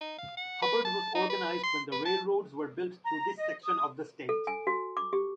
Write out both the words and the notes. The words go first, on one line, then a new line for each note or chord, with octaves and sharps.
Hubbard was organized when the railroads were built through this section of the state.
D#4
F5
F#5
B4
A5
D#4
B4
C6
B4
A5
A#5
D#5
D#6
A4
G#5
F#4
D6
G4